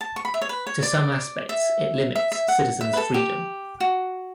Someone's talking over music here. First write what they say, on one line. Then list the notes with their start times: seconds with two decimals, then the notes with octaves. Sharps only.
To some aspects, it limits citizen's freedom.
0.01 A5
0.16 C#6
0.25 B5
0.34 E5
0.41 C#5
0.49 B4
0.67 C#5
0.83 D5
1.49 E5
2.16 E5
2.32 E5
2.48 F#5
2.81 E5
2.93 B4
2.97 A4
3.14 G4
3.80 F#4